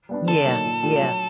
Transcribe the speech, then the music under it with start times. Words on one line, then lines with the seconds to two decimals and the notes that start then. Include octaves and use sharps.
Yeah, yeah.
0.09 G3 B3 D4
0.28 D3 A4
0.46 F#3 A#3 D#4
0.64 A#2
0.83 F3 A3 D4 G4
1.01 F#3